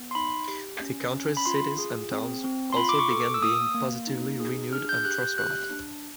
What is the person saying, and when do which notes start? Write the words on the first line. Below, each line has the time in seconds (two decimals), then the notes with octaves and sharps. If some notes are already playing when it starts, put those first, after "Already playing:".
The country's cities and towns also began being positively renewed and transformed.
Already playing: B3
0.11 C6
0.15 D#4 B5
0.48 G4
0.81 C#4
1.14 C#4
1.37 B5
1.46 F4 C6
1.78 G#4
2.11 C4
2.44 C4
2.73 C6
2.77 F4 B5
2.89 D6
2.99 C#6
3.10 A4
3.20 D6
3.34 E6
3.41 A#3 D#6
3.75 A#3
4.07 D#4
4.40 G#4
4.73 D4 F6
4.89 G6
5.05 G4 F#6
5.21 G6
5.38 G4 F#6
5.71 D4